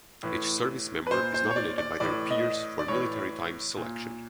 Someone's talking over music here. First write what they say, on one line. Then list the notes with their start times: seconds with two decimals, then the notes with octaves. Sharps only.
Each service member is nominated by their peers for Military Times selection.
0.23 A2 E3
1.07 B4
1.11 A#2 C5
1.34 C5
1.51 C#5
1.56 D5
1.78 D5
2.00 A2 E3 D5
2.30 D#5
2.79 D5
2.88 A2 E3 C#5
3.77 A#2